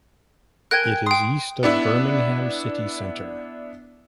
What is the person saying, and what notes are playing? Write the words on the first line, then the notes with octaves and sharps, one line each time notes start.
It is east of Birmingham City Centre.
A#4 G5 G#5 F#6 G#6
G5 C6 D#6
B3 D4 E4